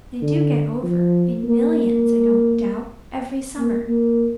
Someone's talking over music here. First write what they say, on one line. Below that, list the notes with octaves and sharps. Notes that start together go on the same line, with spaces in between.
They do get over, in millions, I don't doubt, every summer.
D3
F3
A#3
A#3
A#3